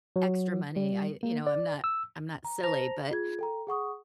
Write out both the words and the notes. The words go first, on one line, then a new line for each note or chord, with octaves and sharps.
extra money, I you know, I'm not I'm not silly, but,
F#3
G3
A#3
D5
E6
A#5
C5 A5 A#5 A#6 F7
F4 G#4 G#6
A4 G5 A#5
G#4 F#5 C#6 D#6